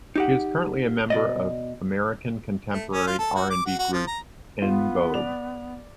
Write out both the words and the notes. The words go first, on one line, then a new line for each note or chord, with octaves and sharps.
She is currently a member of American contemporary R and B group En Vogue.
D#4 G4 F#5
B2 D5 D#5
A3
C#4
F4
A4
F#4
D6
F#4
F#4
F3
A#5
B3 F4
D5 F7